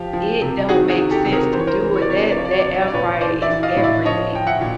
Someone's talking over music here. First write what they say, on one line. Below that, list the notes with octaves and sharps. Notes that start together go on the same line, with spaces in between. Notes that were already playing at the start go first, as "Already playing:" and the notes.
It don't make sense to do it. That that air fryer is everything.
Already playing: F3 F4 G4
F3
C3
D#3 F#4 G#4
F#4 G#4
D#3
G4 A4
C3
G#4 A#4
E3 C5
C#5
A#4 C5
E3
C#5
D5
C3 C#5
D5
C#5
D5
F3 C#5
D5
C#5
D5
F3 C#5
D5
C#5
D5
A#2 B4 C#5
E3 C5 D5
D5 E5
E3
D#5 F5
A2
D5 E5
F3 C#5 D#5
F3 G5
E5 F#5
A#2